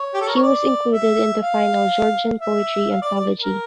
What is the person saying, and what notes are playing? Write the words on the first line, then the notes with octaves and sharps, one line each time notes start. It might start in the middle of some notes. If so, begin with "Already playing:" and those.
He was included in the final "Georgian Poetry" anthology.
Already playing: C#5
G4
A4
A#4
C#5
D5
E5
F5
E5
F5
D5
D5
A#4